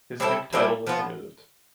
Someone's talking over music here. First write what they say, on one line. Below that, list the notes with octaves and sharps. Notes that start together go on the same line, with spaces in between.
His duke title was removed.
G3 C4 E4 A4
G3 C4 E4 A4
F3 B3 F4